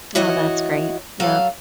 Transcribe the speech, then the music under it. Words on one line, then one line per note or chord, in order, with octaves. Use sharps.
Oh, that's great, yep,
E3 F#4 C#5 D#5
F#3 A4 F5